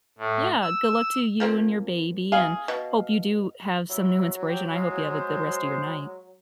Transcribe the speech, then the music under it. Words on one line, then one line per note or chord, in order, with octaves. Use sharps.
yeah, good luck to you and your baby, and hope you do have some new inspiration, I hope you have a good rest of your night
A2
E6
F3 A#3 C4
G#4 F5
B2
F#3 E4
G4
G#3 E4 F#4 F5
C5